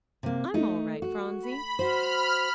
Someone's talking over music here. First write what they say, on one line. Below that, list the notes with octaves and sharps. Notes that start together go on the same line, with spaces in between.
I'm all right, Phronsie.
C3 A#3
A3 D#4
F#4
B5
F#4 C5 B5 F6